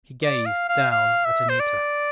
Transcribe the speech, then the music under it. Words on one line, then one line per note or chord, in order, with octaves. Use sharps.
He gazed down at Anita.
D5
F5
F5
F5
E5
C5
D5